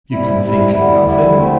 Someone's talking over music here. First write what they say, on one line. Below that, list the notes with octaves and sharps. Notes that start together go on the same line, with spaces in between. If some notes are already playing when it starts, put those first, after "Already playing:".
You can think of nothing?
C3 G3 E4
C3 G3 E4
D2 D3 G3 E4
D2 D3 G3 E4
D3 A3 C4